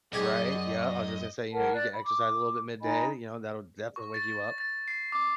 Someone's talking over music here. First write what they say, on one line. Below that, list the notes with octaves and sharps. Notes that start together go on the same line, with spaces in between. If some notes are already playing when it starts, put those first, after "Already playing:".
Right, yeah, I was just gonna say, you know, you get exercise a little bit midday, you know, that'll definitely wake you up.
C2 F#2 G4 G#4 D5 D#5
A#4 F#5 A5
D5 F#6
B5
D6
D#4 D#5 G#5 B5
C#6
A6
A6
C7
D6